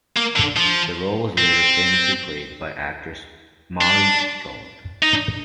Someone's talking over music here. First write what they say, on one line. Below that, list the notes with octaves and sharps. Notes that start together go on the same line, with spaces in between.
The role was later famously played by actress Molly Picon.
A#3
D3
F3
C4
D4
D#4